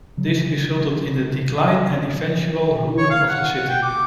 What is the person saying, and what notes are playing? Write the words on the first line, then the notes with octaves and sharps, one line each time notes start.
This resulted in the decline and eventual ruin of the city.
C#3 F#3
C#5
F5
F#5
F#5
G5
D6